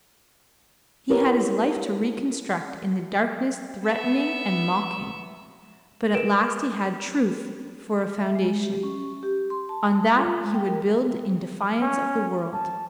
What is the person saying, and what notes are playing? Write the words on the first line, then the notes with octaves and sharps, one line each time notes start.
He had his life to reconstruct in the darkness threatening and mocking; but at last he had truth for a foundation; on that he would build in defiance of the world.
E4 G4 A#4 B4 C#5
B3 E5
A#4 B4 D7 E7
E5
G#3
G4
C#4
G4
C6
A5
F4
G#3
G5
A#4
C#4
A5